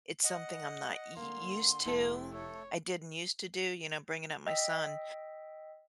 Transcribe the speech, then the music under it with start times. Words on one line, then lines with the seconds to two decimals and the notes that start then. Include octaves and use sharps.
it's something I'm not u u used to. I didn't used to do, you know, bringing up my son
0.24 D#5 F#5
1.17 D3 A#3 C6
1.85 F1 E4 A5
2.33 A3 A4 C#5
4.46 D#5 G5 E6 B6